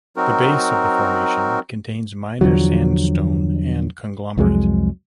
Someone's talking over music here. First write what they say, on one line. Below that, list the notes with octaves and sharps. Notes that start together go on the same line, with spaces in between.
The base of the formation contains minor sandstone and conglomerate.
F#3 C4 D#4 F#4 A#4
E2 D3 F3 F#3
C2 F2 F#3 G#3